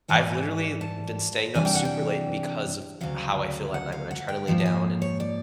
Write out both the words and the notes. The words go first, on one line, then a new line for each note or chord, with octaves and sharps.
I've literally been staying up super late because of how I feel at night when I try to lay down, and
G#2 E3 G3 G#5
A5
C3 E3 G3 A#3 D4 G#5
G5
F#5
G5
D2 C#3 F#3 F5
F#5
F5
F#5
G5
G#2 F3 A#3
A5
G#5
C#5
D5